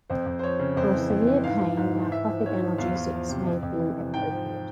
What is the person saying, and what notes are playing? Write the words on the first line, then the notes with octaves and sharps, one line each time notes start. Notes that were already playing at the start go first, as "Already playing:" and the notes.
For severe pain, narcotic analgesics may be appropriate.
F2 C5
F2
C5
F3 C#5
C#3
F2 C5
E3
F2
E3
G#2 F5
E3
G#2
E3
G#2 E5
F3
G#2 C#5
F3
E2 F5
E2
F3
C3
F2
F2
E3
C3
G#2 G5
F3